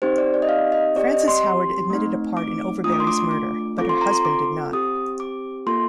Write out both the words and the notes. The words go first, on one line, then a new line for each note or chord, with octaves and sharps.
Frances Howard admitted a part in Overbury's murder, but her husband did not.
C4 D#4 G4 C5
D5
D5
D#5
F5
D#5
C4 G4 D5
D#5
C6
A3 C4 D#4
D6
A3 D4 F4 D#6
D6
C6
D6
D6
C4 F4 A4 D6
C6
A#5
C6
D6
C4 G4 D#6
D6
A#3 F4 A4 C6